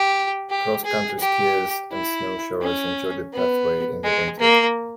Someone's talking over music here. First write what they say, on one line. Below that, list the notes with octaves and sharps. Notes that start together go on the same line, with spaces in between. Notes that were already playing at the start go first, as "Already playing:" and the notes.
Cross-country skiers and snowshoers enjoy the pathway in the winter.
Already playing: G4
G4
G#4
G4
E4
C#4
B3
G#3
A#3